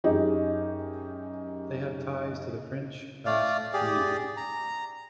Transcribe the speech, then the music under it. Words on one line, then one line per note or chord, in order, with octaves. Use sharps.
They have ties to the French Basque community.
F#2 D#4 G4 G#4
A3 D5 F5
G4 G#4 D5
A#5